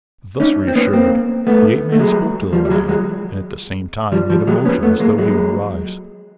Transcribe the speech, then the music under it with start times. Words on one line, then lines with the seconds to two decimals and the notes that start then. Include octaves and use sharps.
Thus reassured, the ape-man spoke to the lion and at the same time made a motion as though he would arise.
0.40 C#4 D#4
0.68 C4
0.76 B3 C#4
0.93 A#3 C4
1.47 A3 B3
1.92 A3
1.99 F#3 G#3
2.53 F3 G3
2.65 G3
2.70 F#3 G#3
2.88 F#3 G#3
4.12 F3 G3
4.30 F3 G3
4.47 F#3 G#3
4.65 B3 C#4
4.83 A3 B3
5.00 G#3 A#3
5.18 F#3 G#3